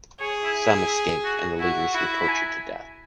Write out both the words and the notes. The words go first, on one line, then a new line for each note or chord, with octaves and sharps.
Some escaped and the leaders were tortured to death.
G#4 C#5
E4
E4
F#4
E4 F#4
E4 F#4
B5
G#5